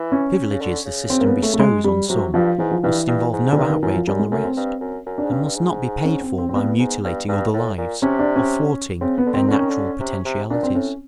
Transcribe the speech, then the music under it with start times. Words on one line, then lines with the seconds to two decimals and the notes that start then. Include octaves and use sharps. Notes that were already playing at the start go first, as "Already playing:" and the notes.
The privileges the system bestows on some must involve no outrage on the rest, and must not be paid for by mutilating other lives or thwarting their natural potentialities.
Already playing: E3
0.12 C#4
0.50 C#3
0.61 D3
0.86 C#3
1.10 C4
1.20 A#3
1.26 B3
1.43 A3
1.54 A3
1.59 G#3
1.84 G3
2.09 C3 F#3
2.34 G2 F3
2.58 G#2 E3
2.71 F3
2.83 G2 E3
3.08 G2
3.33 G#2
3.51 G#2 D3
3.57 G2 D#3
3.70 D#3
3.82 F#2 E3
3.94 F3
4.07 F#2 G3
4.19 G#3
4.31 F#2 A3
4.44 C4
4.57 G2
4.81 F#2
5.06 F#2
5.18 D4
5.25 G#2
5.30 G2 C#4
5.42 G2 D4
5.55 G#2
6.05 C#4
6.21 C4
6.38 C4
6.49 C4
6.54 G2 B3
6.79 G#2
7.04 G2
7.28 G2
7.53 A2
7.78 A#2
8.02 C3 C#4
8.19 D4
8.36 C#4
9.01 C#3 C4
9.18 B3
9.26 D3
9.34 D#3 C4
9.48 D3 C#4
9.60 D#3
9.70 D3
10.00 C3
10.25 C3
10.50 A#2 D4
10.63 C4
10.75 A2 C#4